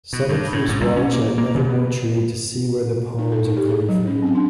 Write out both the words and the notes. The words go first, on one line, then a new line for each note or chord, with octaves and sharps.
Sunny keeps watch at Nevermore Tree to see where the poems are coming from.
B2
G2
A2
G#2
C2
C#4
A#3
A#3
C#3
B3
D#4
A4
D#4
G4
G#4
F#3
C#4
C4
D4